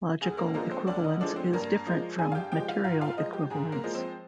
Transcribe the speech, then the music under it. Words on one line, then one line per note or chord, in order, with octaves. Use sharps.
Logical equivalence is different from material equivalence.
D2 G#4
A#3 A#4
D3 F3 G#3 A#3 A#4
C4 C5
D2 D4 D5
D#4 D#5
D3 F3 G#3 D4 D5
C4 C5
G2 A#3 A#4
F3 G#3
G2 G#4 G#5
F5
G4 G5
F3 G#3 G4 G5
F4 F5
G#2 F4 F5
F4 F5
F3 G#3 D#4 D#5
G4
G#2 G#4
A#3 A#4
F3 G#3
C4 C5